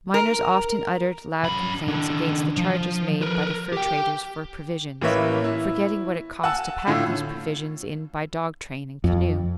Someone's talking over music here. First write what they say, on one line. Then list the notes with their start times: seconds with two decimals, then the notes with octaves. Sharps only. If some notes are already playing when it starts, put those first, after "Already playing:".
Miners often uttered loud complaints against the charges made by the fur-traders for provisions, forgetting what it cost to pack these provisions in by dog-train and canoe.
0.14 A#4
1.44 F#2 B5
1.87 D#3 D4
2.57 F3
3.22 A#4 B4
3.73 G4 G5
5.01 A1 E3 A#3 B4 C#5 E5
5.44 E4
6.44 F#5 G#5 A5 E6
6.87 A2 D3 F4
9.04 F2